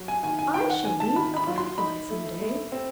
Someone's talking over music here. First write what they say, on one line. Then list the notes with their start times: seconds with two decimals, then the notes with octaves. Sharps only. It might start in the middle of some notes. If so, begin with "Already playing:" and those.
"I shall be a Butterfly some day!"
Already playing: F#3
0.08 G#5
0.23 D#3 G#5
0.39 G#5
0.54 D#3 G5
0.70 F#5
0.85 D#3 G#5
1.00 A5
1.16 D#3 B5
1.37 B5
1.47 F#3
1.58 C6
1.78 D#4 B5
2.10 A3
2.41 A3
2.72 C4